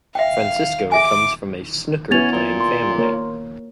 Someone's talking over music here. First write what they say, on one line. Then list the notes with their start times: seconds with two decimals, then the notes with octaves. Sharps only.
Francisco comes from a snooker-playing family.
0.15 E5 F5 G5
0.92 G#4 E5 G#5 D6
2.11 B3 C#4 E4 G#6 A6 F7
2.32 A#2
2.60 C6
2.98 A#3 A#4 C#5